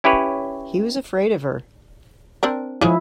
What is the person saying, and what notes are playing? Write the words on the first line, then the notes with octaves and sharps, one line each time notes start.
He was afraid of her.
C#4 E4 G4 B4 C#5
C4 D4 A#4
C#3 F3 G#3 E4